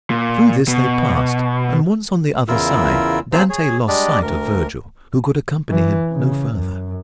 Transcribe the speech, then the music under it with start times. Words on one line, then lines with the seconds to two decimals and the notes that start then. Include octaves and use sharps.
Through this they passed, and once on the other side Dante lost sight of Vergil, who could accompany him no further.
0.10 A#2
0.68 B2
2.48 E2 C#3 E4 F4 A#4 E6
3.32 F#3 A#3 C4 G#4 C5
3.50 G#4 C#5
3.88 G3 G#3 D4 G4 D5 D#5
4.22 D2 A#4
5.70 E3
6.13 C#3
6.55 F#2